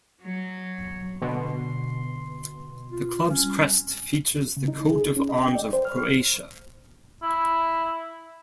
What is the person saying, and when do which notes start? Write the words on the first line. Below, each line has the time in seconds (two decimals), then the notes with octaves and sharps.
The club's crest features the Coat of Arms of Croatia.
0.22 F#3 C#5
1.22 B2 D3 C6
2.91 F4
3.30 G3 C4 C#4
4.57 C#3
4.68 D#4
4.90 G#4
5.03 C2
5.16 C#4
5.29 D#5
5.43 G5
5.55 D5
5.73 C5
5.85 F6
7.23 E4